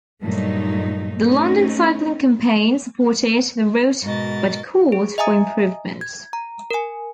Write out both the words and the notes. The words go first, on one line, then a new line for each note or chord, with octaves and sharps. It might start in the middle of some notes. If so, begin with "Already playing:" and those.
The London Cycling Campaign supported the route but called for improvements.
G2 A#2 F#3 A3 D#4
A3 C4 C#4 D#4
G#2 B2 F#4 A#4 D#5 A6
G#4
D#5 E5 G#5 A#5 D#6
G#6
A#5
A#4 G#5